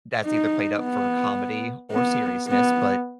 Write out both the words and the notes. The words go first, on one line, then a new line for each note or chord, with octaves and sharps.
that's either played up for comedy or seriousness, but
D#4
B3
B3
B3